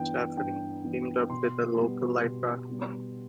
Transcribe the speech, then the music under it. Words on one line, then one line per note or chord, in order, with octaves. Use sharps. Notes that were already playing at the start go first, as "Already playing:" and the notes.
Stephanie teamed up with a local lifeguard.
Already playing: G2 E3 B3 G5
G2 G5
E3 B3
B2 C6
G3 B3
B2
G3 B3